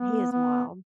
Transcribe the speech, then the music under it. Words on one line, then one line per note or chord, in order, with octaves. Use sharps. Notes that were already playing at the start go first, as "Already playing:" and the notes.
He is wild.
Already playing: B3
B3